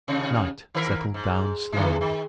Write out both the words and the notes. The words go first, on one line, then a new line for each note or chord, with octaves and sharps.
Night settled down slowly.
D#2 C3
D#3 A#4
G#2
D3 E3 G#3
D#3